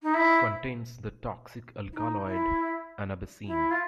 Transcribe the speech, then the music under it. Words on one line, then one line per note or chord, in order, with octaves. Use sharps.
Contains the toxic alkaloid anabasine.
D#4
E4
E4
D#4
E4
E4
F4